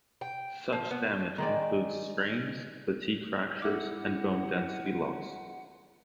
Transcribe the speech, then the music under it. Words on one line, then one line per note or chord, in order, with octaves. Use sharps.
Such damage includes strains, fatigue fractures, and bone density loss.
G5
F3
B3
D#3 G#3 D5
E4 A4 E5 F#5 D6